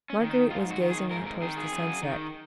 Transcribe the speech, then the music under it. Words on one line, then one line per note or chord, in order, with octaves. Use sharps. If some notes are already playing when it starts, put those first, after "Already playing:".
Marguerite was gazing out towards the sunset.
C#4
D#3
D#4
G#2 F4
F#4
D#3
G#4
G#2 A#4
A#4
D#3 G#4
G#4
F#2
D#3